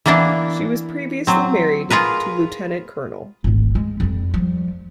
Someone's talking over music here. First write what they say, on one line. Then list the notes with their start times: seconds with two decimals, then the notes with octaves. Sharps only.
She was previously married to Lt.-Col.
0.06 E3 A#3 B3 D4 E4
1.27 F#3 C4
1.90 F4 G#4 A#4 B4
3.44 D1 G#1
3.75 G#3
4.00 F2 G3
4.34 F3 G3